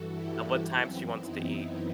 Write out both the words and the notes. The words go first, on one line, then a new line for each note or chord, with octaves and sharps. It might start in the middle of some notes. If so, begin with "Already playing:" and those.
At what time she wants to eat.
Already playing: G2 E3 F#4 A4
E4 G4
F#2 E3 C4 E4
B3 D#4